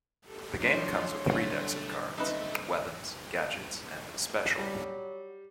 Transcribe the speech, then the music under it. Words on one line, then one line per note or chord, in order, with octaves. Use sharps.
The game comes with three decks of cards: "Weapons", "Gadgets" and "Special".
G4 A4
F3 F#3 A3 D4 C#5 C6
B2 D3 G3 A3
C4 D#4 A4 B4 E5
F#3 G3